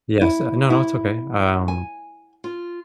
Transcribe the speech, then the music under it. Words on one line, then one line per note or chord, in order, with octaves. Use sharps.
Yes uh, no, no, it's okay. Um,
E4
E4
G#5
F4